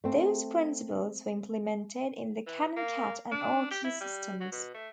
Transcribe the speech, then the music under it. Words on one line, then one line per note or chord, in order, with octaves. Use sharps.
Those principles were implemented in the Canon Cat and Archy systems.
A3 C4
E3
A#3
D4
G4
E4
G3
F#3
B2
A3